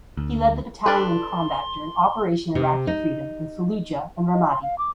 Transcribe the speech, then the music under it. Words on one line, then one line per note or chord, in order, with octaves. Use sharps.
He led the battalion in combat during Operation Iraqi Freedom in Fallujah and Ramadi.
D2
D4 A4 B4 C6
C3
D#4
D#5
C6
F5
D6